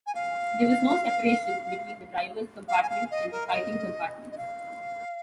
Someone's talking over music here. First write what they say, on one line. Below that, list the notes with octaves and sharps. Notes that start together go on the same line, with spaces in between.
There was no separation between the driver's compartment and the fighting compartments.
G#5
F5
F5
G#5
F5
D#5
A#4
F5
D#5
D#5
F5